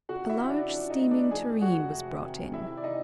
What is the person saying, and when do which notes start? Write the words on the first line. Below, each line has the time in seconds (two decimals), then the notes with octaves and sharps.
A large steaming tureen was brought in.
0.09 C#3 F#4 F#5
0.29 E4 E5
0.40 C#4
0.49 D4 D5
0.70 F3 D4 D5
0.90 D#4 D#5
1.00 A3
1.11 D4 D5
1.31 F2 G#4 G#5
1.61 G#3 F#4 F#5
1.92 C3
2.23 D#3
2.53 C3 E4 E5
2.77 D5
2.83 C3 D#4 D#5